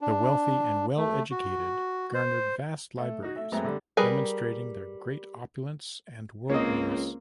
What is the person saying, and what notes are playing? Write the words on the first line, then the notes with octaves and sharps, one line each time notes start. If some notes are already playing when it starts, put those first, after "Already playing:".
The wealthy and well educated garnered vast libraries, demonstrating their great opulence and worldliness.
D4
A3
F#4
C5
A3
D#4 F#4
A3 E5
F#2 G#3 A3 B3 C4 A#5
D3 G3
G3 G#4 A#4 B4 G#5
C#2 A#3 C4 C#5 D#5